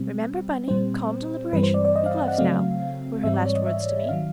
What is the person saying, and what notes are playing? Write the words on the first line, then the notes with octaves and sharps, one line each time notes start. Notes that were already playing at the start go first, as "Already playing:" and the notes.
"Remember, Bunny--calm deliberation--your gloves now," were her last words to me.
Already playing: B2 G3 C4
A#2 G3 C4 C5
G2 E3 G3 C4 B4
C5
D5
D5
D#5
F5
F5
F#5
C#3 F#3 A3 C4 F5
G#2 E3 G3 C4 E5
D5
C#5
D#5
E5
D#3 F#3 F5